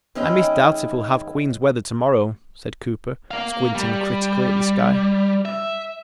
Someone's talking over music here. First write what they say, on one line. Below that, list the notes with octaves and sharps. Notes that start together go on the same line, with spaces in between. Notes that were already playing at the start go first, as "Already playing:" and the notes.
"I misdoubt if we'll have Queen's weather tomorrow," said Cooper, squinting critically at the sky.
D#3 G#3 C#4 E4 D#5 G5
A#4 F5
G3
E5